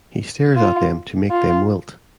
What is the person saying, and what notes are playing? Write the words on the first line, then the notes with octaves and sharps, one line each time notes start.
He stares at them to make them wilt.
F4
F4